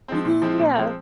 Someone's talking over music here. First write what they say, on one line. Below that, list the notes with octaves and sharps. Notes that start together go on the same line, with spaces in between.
Mhm, yeah.
F3 G#3 C4
A#2
F3 G#3 C4
A#2
F3 G#3 C4